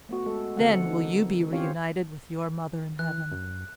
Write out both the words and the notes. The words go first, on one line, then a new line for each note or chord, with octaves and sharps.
Then will you be reunited with your mother in heaven.
A3 B3 F#4
G#3 A4
D3 D#3 B3 C4 A4 F#5
D#4
C4 C#4 F4 G4 C#5 F5
E3 F#6
F#2